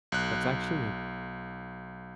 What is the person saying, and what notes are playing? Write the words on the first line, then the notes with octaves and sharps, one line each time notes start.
that's actually a
B1 F#6